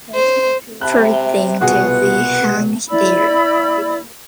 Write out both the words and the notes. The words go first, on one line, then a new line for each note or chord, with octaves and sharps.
First thing to be hung there.
C5
C3 E5 A5 B5 F#6
C2 B2 B3 F4 F#4 G#4 F#5
E4 D5 B5 E6